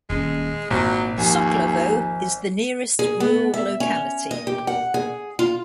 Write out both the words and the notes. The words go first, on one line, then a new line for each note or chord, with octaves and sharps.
Sokolovo is the nearest rural locality.
D#1 D#2 G#3 C#4
G#1 A#2 F#3
D#2 F3 G#5
G#4
B3
E5
C#4
D#5
G4
F#5
G#4
F4